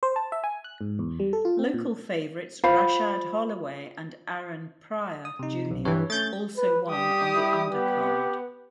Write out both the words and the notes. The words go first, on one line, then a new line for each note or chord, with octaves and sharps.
Local favorites Rashad Holloway and Aaron Pryor Junior also won on the undercard.
C5
A5
E5
G#5
F#6
G#2
E2
G3
A4
F4
C4
A#2
F4 C5 F5 B5
D#6
C3 D#4
B1
G2 E3 C#5
A3 C#4 G6 A6
B4
G3 G4 D#6
E4
B3 G4